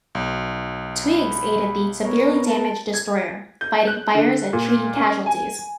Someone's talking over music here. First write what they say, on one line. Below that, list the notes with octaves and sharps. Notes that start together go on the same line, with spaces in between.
"Twiggs" aided the severely damaged destroyer, fighting fires and treating casualties.
B1
B5
B3 A#4 C#5
A5
G#6
G6
F#6
D3
A#2
C#4
G#5